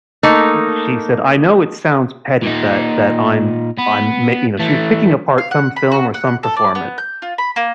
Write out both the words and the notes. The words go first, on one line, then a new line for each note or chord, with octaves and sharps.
y she said, "I know it sounds petty that that I'm I'm ma" you know, she was picking apart some film or some performance.
A3 A#3 D#4
A#2 D#4
B3
E3 A3
F5
F#5
B5
F#4
F#5
A4
D5
B3
G6
F4
B5
A#3